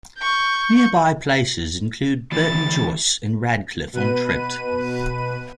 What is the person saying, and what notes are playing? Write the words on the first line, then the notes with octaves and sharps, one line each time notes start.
Nearby places include Burton Joyce and Radcliffe on Trent.
C#6 G6
D2 E3 E4 A6
B2 B4 D#7